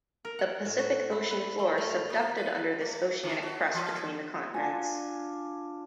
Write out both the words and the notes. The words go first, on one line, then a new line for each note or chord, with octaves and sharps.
The Pacific Ocean floor subducted under this oceanic crust between the continents.
A#4
F#5
A2
F#4
E4
B4
A3
A3
F5
A#3
B4
A3
D3
F#4
E3
D4 F4 G#5